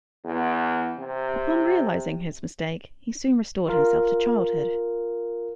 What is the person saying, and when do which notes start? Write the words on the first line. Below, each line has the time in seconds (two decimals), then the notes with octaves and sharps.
Upon realizing his mistake, he soon restored himself to childhood.
0.24 E2
0.99 C3
3.68 F4 A#4